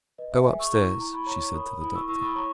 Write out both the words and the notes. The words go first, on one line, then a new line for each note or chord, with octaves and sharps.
"Go upstairs," she said to the doctor.
B4 D#5
E5
G#4 E5 G#5
C#6 E6
E4 A#5 C#6
E4 A#5
B5
C#5 A#5 C#6
A#4 B5 D#6
E4 B5 D#6
C#6 E6
E4 C#6 E6
B5 D#6
C#5 A#5 C#6